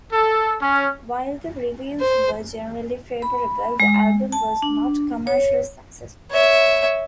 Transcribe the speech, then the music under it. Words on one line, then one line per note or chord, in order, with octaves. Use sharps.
While the reviews were generally favorable, the album was not commercially successful.
A4
C#4
C5
B5
G#3
A5
D4
C#5
C#5 E5